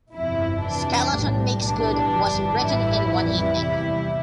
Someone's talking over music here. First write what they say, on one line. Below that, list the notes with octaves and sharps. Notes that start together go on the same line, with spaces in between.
"Skeleton Makes Good" was written in one evening.
G1 F2 C3 E4
F2 C3 E3 D4
B1 A2 G3
B1 A2 E3 G3 D4
G1 F2 E3 G3
A1 G2 E3 G3 E4
F2 E3 G3 E4
E2 C3 G3